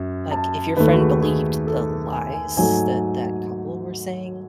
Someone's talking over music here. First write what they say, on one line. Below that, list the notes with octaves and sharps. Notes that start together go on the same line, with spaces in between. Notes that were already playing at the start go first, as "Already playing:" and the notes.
like, if your friend believed the lies that that couple were saying
Already playing: F#2
A5
D#2 D#3 A3 B4
F#4
G#4
G#4
A4
G#5
G#5
G#2 F#3 A3 G#5